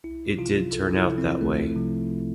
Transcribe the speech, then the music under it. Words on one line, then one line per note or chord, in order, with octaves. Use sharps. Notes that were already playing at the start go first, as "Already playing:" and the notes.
It did turn out that way.
C2 E4
C3 F3 F4
C2 A4
E4
C3 F3
C4
C2 A3
C3 F3